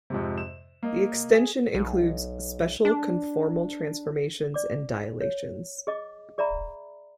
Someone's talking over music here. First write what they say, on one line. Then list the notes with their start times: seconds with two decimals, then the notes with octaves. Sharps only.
The extension includes special conformal transformations and dilations.
0.10 F2 G#2 C3
0.38 E7
0.83 A#3 D#5
1.34 G#4
1.75 B1
2.85 D4
4.54 D5 D6
5.21 C#5
5.87 G#4 D#5 D6
6.38 G#4 D5 E5 A#5 B5